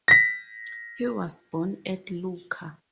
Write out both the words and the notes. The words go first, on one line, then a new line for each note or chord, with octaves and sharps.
He was born at Lucca.
A#6 B6